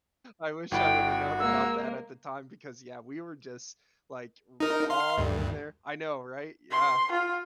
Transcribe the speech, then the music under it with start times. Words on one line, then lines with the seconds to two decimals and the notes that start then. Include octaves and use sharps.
I wish I woulda known about that at the time because, yeah, we were just, like, w all in there. I know, right? Yeah.
0.71 G1 E4 F#4 G5 B5
1.40 G#3 A#3 E6
4.60 D#4 A#4
4.90 F5 C6
5.18 D2 G2
6.71 C6
7.12 F4